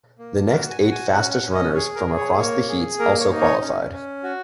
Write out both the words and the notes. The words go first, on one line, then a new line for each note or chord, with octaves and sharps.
The next eight fastest runners from across the heats also qualified.
A#3
F#4 A#4
G#5
F#4
G#5
C#4 F#5
F#5
C#4
D#5
G#4 C#5
A#4
G#4
C#5
A#3 C#5
G#4
A#3 A#4
C#5
D#4
C#5
C#4
C#4
F#4